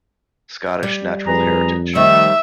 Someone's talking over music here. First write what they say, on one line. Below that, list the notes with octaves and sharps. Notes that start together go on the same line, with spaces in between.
Scottish Natural Heritage.
G3
F2 G#4 B4 A#5
D#3 F3 G3 A3 C4 D#4 E5